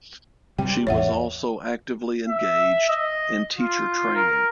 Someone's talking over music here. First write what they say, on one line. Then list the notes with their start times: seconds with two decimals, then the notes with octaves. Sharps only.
She was also actively engaged in teacher training.
0.59 C3 G3 G5
0.87 A1 E2 C#5 E5 F#5
2.29 E5
2.89 D#5
3.58 F4
4.15 A#4